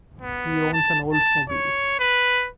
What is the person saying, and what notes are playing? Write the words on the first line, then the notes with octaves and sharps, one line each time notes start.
He owns an Oldsmobile.
B3
A5
A5
C#5
B4